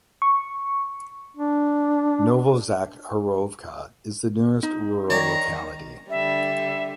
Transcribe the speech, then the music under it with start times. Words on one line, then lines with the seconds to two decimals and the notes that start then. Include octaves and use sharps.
Novozakharovka is the nearest rural locality.
0.22 C#6
1.37 D4
4.63 D#4
5.10 D#3 C#5 D5 A#5
6.10 D3 G3 E5